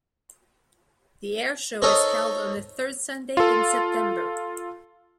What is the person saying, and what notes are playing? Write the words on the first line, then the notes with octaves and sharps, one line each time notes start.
The air show is held on the third Sunday in September.
D#4 A4 A#4 C5 C#5 D#5
F4 A4